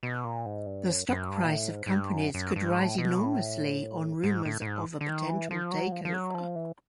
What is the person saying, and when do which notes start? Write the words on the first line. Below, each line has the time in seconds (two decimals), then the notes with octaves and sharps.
The stock price of companies could rise enormously on rumors of a potential takeover.
0.03 B2
0.24 A#2
0.46 G#2
0.66 G2
0.87 F#2
1.09 F#2
1.29 G2
1.45 A#2
1.51 A2
1.71 G#2
1.86 G#2
1.92 G2
2.13 F#2
2.34 F#2
2.56 G2
2.70 G#2
2.84 A2
2.98 B2
3.19 A2
4.23 G#2
4.45 A2
4.62 A2
4.66 G#2
5.01 D3
5.08 D#3
5.30 E3
5.51 F3
5.71 F#3
5.92 F3
6.05 F3
6.14 F#3
6.34 F3
6.56 E3